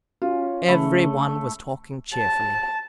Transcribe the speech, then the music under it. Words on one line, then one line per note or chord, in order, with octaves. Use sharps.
Every one was talking cheerfully.
C#4 F4
C#3 A3 B5
A5